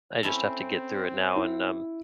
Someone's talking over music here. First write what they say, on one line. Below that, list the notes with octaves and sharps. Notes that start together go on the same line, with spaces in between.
I just have to get through it now and, um,
C4 C#4 E4 A4
E4